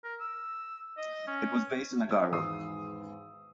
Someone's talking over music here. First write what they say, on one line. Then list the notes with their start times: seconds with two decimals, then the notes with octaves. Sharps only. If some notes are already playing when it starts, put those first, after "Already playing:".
It was based in Agaro.
0.04 A#4
0.20 E6
0.97 D#5
1.27 C#4
2.32 G#1 E2 G#2 D#6 E6 C7